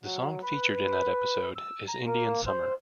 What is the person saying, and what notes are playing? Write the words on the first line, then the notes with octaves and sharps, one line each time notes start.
The song featured in that episode is "Indian Summer".
F#3
B4
E6
A#5
A#3
C5